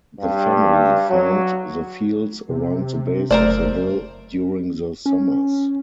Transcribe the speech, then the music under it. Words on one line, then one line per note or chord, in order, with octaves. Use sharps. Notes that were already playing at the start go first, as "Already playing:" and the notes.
The family farmed the fields around the base of the hill during the summers.
G2
F#3
C3
F#1 A3 A#4 C5 D5
C#4